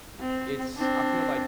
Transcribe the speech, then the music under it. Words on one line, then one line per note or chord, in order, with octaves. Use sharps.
it's I feel like
C4
C4 D4